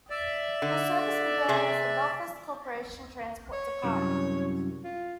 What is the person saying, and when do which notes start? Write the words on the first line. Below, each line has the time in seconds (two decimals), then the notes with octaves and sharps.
The service began as the Belfast Corporation Transport Department.
0.10 D5 E5
0.62 D3
1.49 C3 G#4
3.53 C#5
3.84 C2 F#2
4.84 F4